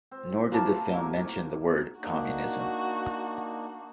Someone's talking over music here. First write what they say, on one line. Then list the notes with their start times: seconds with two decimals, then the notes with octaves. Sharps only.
Nor did the film mention the word Communism.
0.11 C4
0.52 A3 A#3 F4 F#4 A5
0.93 F#3 A#3 E4
2.00 A#3 D4 D#4 F#4